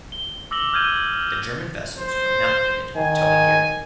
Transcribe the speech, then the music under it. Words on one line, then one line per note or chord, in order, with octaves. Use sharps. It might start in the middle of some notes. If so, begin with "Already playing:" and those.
The German vessels were not fitted with towing gear.
G7
D6 E6 A#6 F#7 G7
E6 F6 G6 G#6 D#7 G7
C5
D#3 G#5